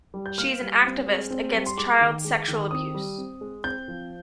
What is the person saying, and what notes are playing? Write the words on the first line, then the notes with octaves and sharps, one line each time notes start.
She is an activist against child sexual abuse.
G3
G6
A#3 F6
G3
C4
G#3
C4
G3
C6
G#3 D6
D#3
G#3
D#3
C4 D#6
G3
C4
G#3
C4 G6
F3